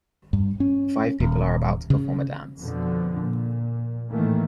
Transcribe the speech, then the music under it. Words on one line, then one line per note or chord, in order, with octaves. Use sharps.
Five people are about to perform a dance.
G2
C#4
D#1
C#3
F2 B2 D3 F3
A#2
A2 D#3 E3 A3 A#3